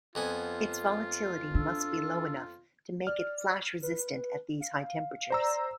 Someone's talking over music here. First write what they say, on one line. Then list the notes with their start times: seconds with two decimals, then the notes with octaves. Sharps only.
Its volatility must be low enough to make it flash-resistant at these high temperatures.
0.15 F2 B3 F4 G#5
1.55 D4 A4
3.07 D5 F6
3.83 B4
4.60 F5
5.30 C5 D5 A#5 E6